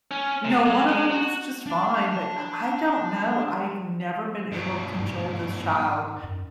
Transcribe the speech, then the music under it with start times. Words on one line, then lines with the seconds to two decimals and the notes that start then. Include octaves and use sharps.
you know, one of 'em is just fine," but I I don't know, I've never been able to cajole this child
0.11 C#4
0.45 C3
0.66 F#3
0.89 G#3
1.11 F#4
1.67 D4 A5
4.53 G2 B2
5.00 G#2
6.24 F#2